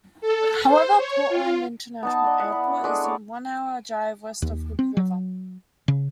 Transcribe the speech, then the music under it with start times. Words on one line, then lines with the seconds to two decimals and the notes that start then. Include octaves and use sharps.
However, Portland International Airport is a one-hour drive west of Hood River.
0.21 A4
0.66 C5
0.98 C#5
1.29 F4
2.03 B3 D#4 A5
2.24 D5 D#5
2.40 E4 F#5
2.52 B5
2.84 G#3 D4 G#4 A4
3.04 C#5 D5 D6
4.42 D#2
4.79 C4
4.97 F#3
5.88 C#3